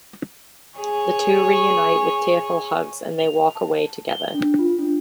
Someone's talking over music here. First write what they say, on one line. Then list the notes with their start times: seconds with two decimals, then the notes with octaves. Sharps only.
The two reunite with tearful hugs and they walk away together.
0.76 G#4 C#5
3.19 F7
3.55 A5
4.09 G7
4.34 D4
4.59 F4
4.79 D4